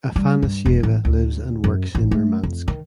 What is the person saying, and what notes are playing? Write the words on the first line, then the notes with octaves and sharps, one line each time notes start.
Afanasyeva lives and works in Murmansk.
G3
G2
E1
A1
D2
F#2
A1
A3
F2
D#3